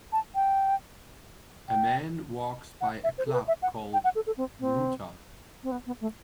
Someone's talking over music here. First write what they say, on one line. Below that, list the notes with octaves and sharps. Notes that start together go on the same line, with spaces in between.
A man walks by a club called ' Gruta '.
A5
G5
G5
F#5
E5
C5
A4
B4
E5
F#5
G5
F#5
A4
A4
C4
C4
C4
B3
B3
A3